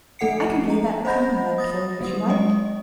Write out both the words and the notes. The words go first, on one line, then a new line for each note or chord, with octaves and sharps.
I can play that accompaniment for you if you like.
F3 A3 A4 F#5 C7 C#7
A#5
C5 D#5 F#5 B5 G6 A#6
D#6 A6 A#6
F#3 G3 D#6
G#3 D#5